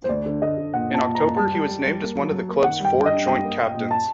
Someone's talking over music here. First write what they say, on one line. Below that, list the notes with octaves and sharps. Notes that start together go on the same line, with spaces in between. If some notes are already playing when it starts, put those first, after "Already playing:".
In October, he was named as one of the club's four joint-captains.
C5
D2 D5
D3
D3 D#5
D3
A#2 F#5
A#2 A5
A#2
A#5
A#2
G3 A5
G3
G3
G3
A#3
F#3
F#3
A#3
D#3 F#5
G3 G5
G3
D#5
D4
G3 G5
A#3
A#2
A#2
A5